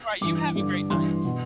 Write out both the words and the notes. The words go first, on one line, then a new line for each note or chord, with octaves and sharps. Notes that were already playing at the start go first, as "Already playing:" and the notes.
Alright, you have a great night.
G2 E3 D6
G2 D3
G2 E3 C6
B2